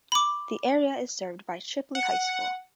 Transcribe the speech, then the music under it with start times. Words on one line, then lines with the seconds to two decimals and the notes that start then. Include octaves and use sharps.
The area is served by Chipley High School.
0.12 B5 D6
1.95 F#5